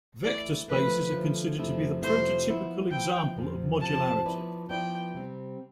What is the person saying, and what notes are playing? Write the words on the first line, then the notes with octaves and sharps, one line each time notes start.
Vector spaces are considered to be the prototypical example of modularity.
E3 A3 E4 D5
D3 F3 A3 B4
D3 F3 A3
F2 C3 F3 A3 E4
F2 C3 F3 A3 E4 C5
F3 B3 E4
F3 B3 E4 G5
F2 C3 F3
F2 C3 F3 A5
F3 B3 E4 B4 D5
F3 B3 E4 B4 D5 G5
C3 G3 C4